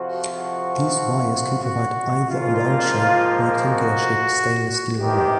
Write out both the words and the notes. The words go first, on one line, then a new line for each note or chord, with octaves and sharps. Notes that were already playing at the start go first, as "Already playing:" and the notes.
These wires can provide either a round shape or rectangular shaped stainless steel wire.
Already playing: F2 C3 F3 F#4
F#4
F#4
G#2 F3 A#3 F4
F#4
E2 C3 D#3 G4